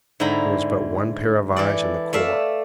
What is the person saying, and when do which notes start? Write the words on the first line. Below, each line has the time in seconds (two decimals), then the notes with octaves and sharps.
There was but one pair of eyes in the corps.
0.20 G#2 D3 E4 G5 A#5 B5
1.56 E3 A4 D5
2.13 A3 D5 E5 F5